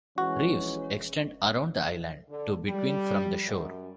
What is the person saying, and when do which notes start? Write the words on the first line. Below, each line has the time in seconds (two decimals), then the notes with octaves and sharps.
Reefs extend around the island to between from the shore.
0.18 E3 G#3 C#4 F#4
2.29 D3
2.65 G3
3.46 F#2